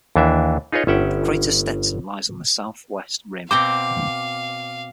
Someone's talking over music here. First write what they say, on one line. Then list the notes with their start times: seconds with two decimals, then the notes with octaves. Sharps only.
The crater Stetson lies on the southwest rim.
0.16 D#2 E3 D4 E5
0.72 D#4 F4 G#4 B4 C#5 D#5
0.87 G1 C#4 E5 F#5 G5
3.51 B2 C4 C5 F5 D6